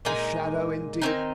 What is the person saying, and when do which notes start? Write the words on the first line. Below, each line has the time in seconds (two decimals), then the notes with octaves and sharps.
A shadow indeed!
0.05 A#2 G#3 D#4 G#5
1.02 D#3 G3 C4 D#4 G#5